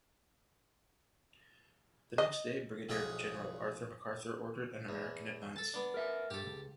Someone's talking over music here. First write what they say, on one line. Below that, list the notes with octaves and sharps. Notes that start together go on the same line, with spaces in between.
The next day, Brigadier General Arthur MacArthur ordered an American advance.
D#5
B1 F3 E4 G#4 C#5 D#5
E2
A4 A5
B3 D4
A#4 E5
G2 G4 A4
C#2